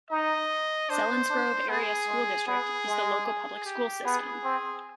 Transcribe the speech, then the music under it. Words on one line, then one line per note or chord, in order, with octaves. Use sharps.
Selinsgrove Area School District is the local public school system.
D#4 D#5
D4 C5
D4
B3 G#4
G#3
B3 G#4
G#3
G#4
G4
B3 G#4
C4